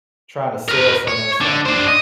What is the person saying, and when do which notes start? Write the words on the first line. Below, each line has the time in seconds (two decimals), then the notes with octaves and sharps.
trying to sell someone something.
0.69 A#4 B4
1.08 C#5
1.41 D3
1.66 D4 C5
1.88 D#5